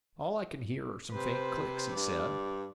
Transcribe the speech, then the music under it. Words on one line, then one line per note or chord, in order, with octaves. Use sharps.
"All I can hear are some faint clicks," he said.
C3 B4 C5
G2 D5